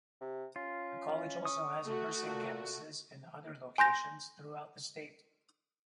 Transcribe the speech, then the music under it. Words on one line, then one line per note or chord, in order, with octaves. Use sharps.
The college also has nursing campuses in other locations throughout the state.
C3
C#4 F4
C#6 D#6
A3 F#4
A#2
G#5 C6 G6 A#6